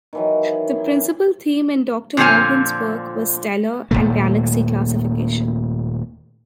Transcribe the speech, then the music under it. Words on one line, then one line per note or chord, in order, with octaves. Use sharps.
The principal theme in Doctor Morgan's work was stellar and galaxy classification.
D#3 E3 F#3
A#2 D3 F3 C4 C#5 G#5
D#1 C#2 A#2 A3